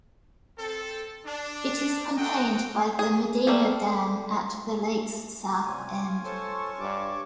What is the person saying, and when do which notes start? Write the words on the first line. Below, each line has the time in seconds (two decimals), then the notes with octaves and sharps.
It is contained by the Medina Dam at the lake's south end.
0.58 C4 A4
1.26 D4
2.17 F#4 A4 D#5 F#5 G5
2.99 G#4
3.47 G3 A3 A#3 A4
5.65 C3 G3 C#4 F4 G#5
6.24 A4 C5 C#5 A5 C#6
6.80 G2 D6